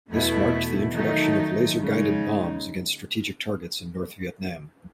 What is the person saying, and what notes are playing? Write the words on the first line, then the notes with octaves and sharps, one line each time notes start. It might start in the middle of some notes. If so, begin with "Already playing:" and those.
This marked the introduction of laser-guided bombs against strategic targets in North Vietnam.
E2 B2 A3 E4
D#3 F#3 A3 D#4
C#3 G#3 D#4